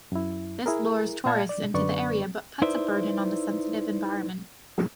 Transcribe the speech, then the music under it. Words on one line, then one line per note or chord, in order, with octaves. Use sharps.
This lures tourists into the area but puts a burden on the sensitive environment.
F#2 E4
E4 G#4 A#4
A#2 D5 F5 A5 G#6
D5
F#2 D3 B4 D5 C#6
D#4 E4 B4 C5 D5 E5